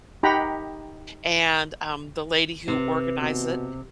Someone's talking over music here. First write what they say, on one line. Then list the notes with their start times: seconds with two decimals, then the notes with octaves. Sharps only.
and, um, the lady who organized it
0.23 D#4 G4 F#5 G5 A#5 B5
2.68 C3 B4
3.19 B2